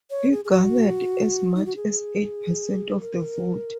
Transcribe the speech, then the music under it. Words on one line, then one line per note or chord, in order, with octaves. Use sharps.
He garnered as much as eight percent of the vote.
C#5
G#4
G#4
F#4
D#4
F#4
G#4
A#4